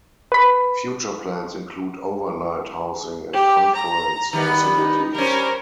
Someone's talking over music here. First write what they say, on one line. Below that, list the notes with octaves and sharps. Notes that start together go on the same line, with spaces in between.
Future plans include overnight housing and conference facilities.
B4 B5
G4
A#5
D#3 G3 B3
D#4
G3 C#4 A#4 C5